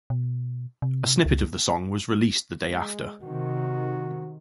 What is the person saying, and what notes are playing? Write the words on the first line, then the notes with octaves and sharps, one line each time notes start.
A snippet of the song was released the day after.
B2
C3
C#2
G#3
C3 D#3 F#4